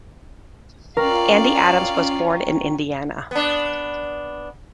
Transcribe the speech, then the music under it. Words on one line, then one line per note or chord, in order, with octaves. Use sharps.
Andy Adams was born in Indiana.
C#4 F4 A#4 D5 F5 G5 A#5 C#6
B3 D4